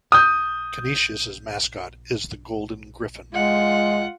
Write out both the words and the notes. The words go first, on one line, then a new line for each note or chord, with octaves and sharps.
Canisius' mascot is the Golden Griffin.
D#6 G6
G#3 F4 F#5